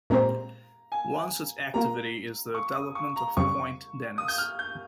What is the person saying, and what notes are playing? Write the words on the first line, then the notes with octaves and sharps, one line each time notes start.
One such activity is the development of Point Denis.
A#2 G#3 C4 G4 C5 A#5
G#5
G3 A#3 F4 A#5
C#6
D#6
C#6
A#5
F2 C#3 G3 C#6
D#6
G6
F6
G6